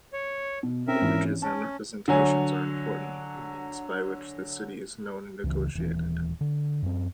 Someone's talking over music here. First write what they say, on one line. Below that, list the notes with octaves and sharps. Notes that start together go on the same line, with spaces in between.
Images and representations are important means by which the city is known and negotiated.
C#5
B2
C4 C#4 A#4 E5
G#1 E3 C#4
C#4 A5
D3 F#3 G#5
C#2 C#3 E3
D#1 E3
D3
F#2 C4